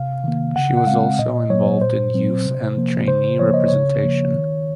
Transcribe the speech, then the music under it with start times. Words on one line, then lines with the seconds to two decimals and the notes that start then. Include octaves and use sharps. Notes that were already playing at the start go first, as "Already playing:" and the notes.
She was also involved in youth and trainee representation.
Already playing: C3 F5
0.24 D#3 A#3
0.55 C#3 F#5
0.77 F#5
0.87 G#3 C4 F5
1.19 A#2 D#5
1.50 F#3 A#3 C#5
1.81 A#2 C5
2.14 F#3 C4
2.45 C3
2.77 F3 A#3
3.08 C#3 C5
3.40 F3 A#3 C#5
3.54 D#5
3.68 C#3 C#5
4.04 F3 A#3
4.34 D#3